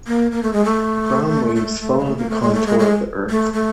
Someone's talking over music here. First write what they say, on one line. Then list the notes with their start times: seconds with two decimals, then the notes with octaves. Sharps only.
Ground waves follow the contour of the Earth.
0.07 A#3
0.31 A#3
0.43 A3
0.53 G#3
0.65 A3
1.56 A3
1.80 A3
1.99 G#3
2.05 A3
2.17 A#3
2.30 A3
2.42 G#3
2.54 A3
2.67 G#3
2.79 G#3
3.30 A3
3.53 A3